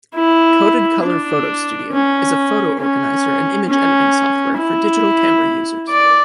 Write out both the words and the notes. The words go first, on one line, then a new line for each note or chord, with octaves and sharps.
CodedColor PhotoStudio is a photo organizer and image editing software for digital camera users.
E4
D4
C#4
C#4
C#4
E4
D5